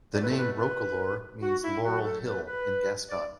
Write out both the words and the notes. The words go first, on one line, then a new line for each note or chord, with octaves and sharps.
The name Roquelaure means "laurel hill" in Gascon.
E2 B2 A3 D5
B4
A4
B4
B4
F#4
E4
F#2 F#3 A3 F#4
A4
B4
B4
D5